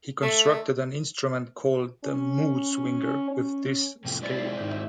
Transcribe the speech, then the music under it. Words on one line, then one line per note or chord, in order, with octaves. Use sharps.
He constructed an instrument called the Moodswinger with this scale.
A3
C#4
C#4
F2 A2 C3
G#3 C4 E4 D5 A6
C7
G#1 G6
E5